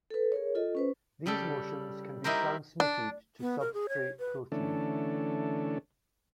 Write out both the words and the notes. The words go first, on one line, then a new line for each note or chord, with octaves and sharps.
These motions can be transmitted to substrate protein.
A4 B4
G#4 A#4 C#5
F4 A4 D#5
C#4 B4 C5
C#3 G3 G4 A4
D#4 E4 G4 A#4 C5
D4
B3
A#4
G#4
C#5
B4
D3 E3 A3 C#4 D4 A4